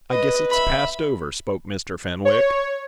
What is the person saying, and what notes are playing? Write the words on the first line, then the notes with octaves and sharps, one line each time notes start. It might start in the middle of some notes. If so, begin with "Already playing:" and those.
"I guess it's passed over," spoke Mr. Fenwick.
B4 D#5
E5 B5
C#5